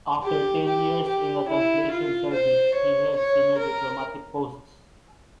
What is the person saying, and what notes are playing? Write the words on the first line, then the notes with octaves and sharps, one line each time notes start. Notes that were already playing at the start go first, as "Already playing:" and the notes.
After ten years in the translation service, he held senior diplomatic posts.
G4
G4
G4
E4
F4
C5
C#5
C#5
A#4